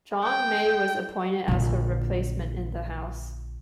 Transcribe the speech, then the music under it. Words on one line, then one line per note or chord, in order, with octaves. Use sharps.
John May was appointed as her replacement in the House.
G5
A#1 D3